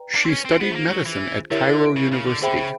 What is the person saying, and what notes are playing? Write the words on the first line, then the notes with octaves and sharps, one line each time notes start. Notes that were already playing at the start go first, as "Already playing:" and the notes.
She studied medicine at Cairo University.
Already playing: B4 D5 G5 A#5
D4
C4
C#4
C4
B3 D4 F4 G#4 C5
A3
A#3
F#3
E3
D3 E4 G4 A#4 C#5 E5
C#3
C#3
D3
D3 G#4 C5 E5 G5 B5
C#3